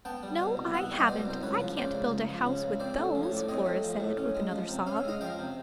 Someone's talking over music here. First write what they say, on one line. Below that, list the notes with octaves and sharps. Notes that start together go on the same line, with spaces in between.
"No, I haven't; I can't build a house with those," Flora said, with another sob.
B3 G5 A5
G3
B2
C2
B3 E5 F#5
G3
D#5
B2 C5 D5
C2 C5
C#2 B4 C#5
F3
C#3 C5 D5
C#2
C#2
F3
C#3
C#2
C4 C5 D5
A3
F3
C#5
A2
D5
C4 C#5 D#5
A3
F3
A2
C#4
G#3
F3
C3
C#4 F5
E5
G#3 D#5 F5
F3 F5 G5
C3